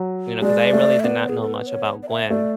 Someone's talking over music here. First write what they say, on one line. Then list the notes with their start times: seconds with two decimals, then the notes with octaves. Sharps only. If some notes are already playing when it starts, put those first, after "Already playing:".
you know, 'cause I really did not know much about Gwen,
Already playing: F#3
0.42 G#3 D5
0.73 A3
1.00 E5
1.04 B3 D5
1.29 G#4
1.41 A4
1.54 B4
1.67 C#5
2.03 D5
2.09 E5
2.30 A3 D5